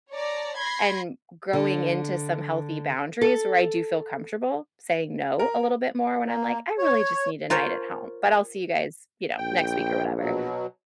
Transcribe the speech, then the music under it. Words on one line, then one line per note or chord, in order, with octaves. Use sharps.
And growing into some healthy boundaries where I do feel comfortable saying "No" a little bit more when I'm like, "I really just need a night at home, but I'll see you guys, you know, next week or whatever."
C#5 D5 A5 A#5
B5 C6 G#6 A#6 C7
D3
A4
A#4
A#3
C#5
F4 A#4 C5 C#5
A#1 G5
B2 F#3